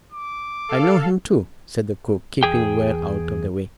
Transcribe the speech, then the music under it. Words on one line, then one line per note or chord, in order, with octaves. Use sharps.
"I know him too," said the cook, keeping well out of the way.
D6
A4 F5
E2 G#4 G5